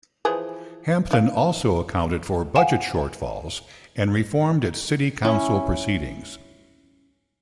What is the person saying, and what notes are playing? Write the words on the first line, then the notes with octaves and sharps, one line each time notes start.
Hampton also accounted for budget shortfalls, and reformed its city council proceedings.
E3 F3 G#4
D#4 F5
F5 F#5 G#5 E7
C#4 E4 C#6